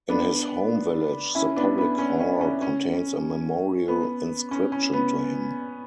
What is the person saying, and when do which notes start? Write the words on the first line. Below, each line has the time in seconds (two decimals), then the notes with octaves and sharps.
In his home village, the public hall contains a memorial inscription to him.
0.09 B3 D4
1.35 C#4 E4
1.56 B3 D4
1.78 B3
1.98 C#4
2.20 C#4
2.41 C#4
2.62 C#4
3.88 B3
4.51 C#4
4.72 C#4
4.93 B3